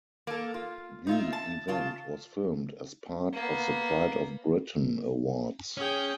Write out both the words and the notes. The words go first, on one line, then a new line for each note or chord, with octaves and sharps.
The event was filmed as part of The Pride of Britain Awards.
A#3 A4
F4
D#4 F4 E5
A5
C#3 F4 A5
A#3 B3
C#4 G#4 G5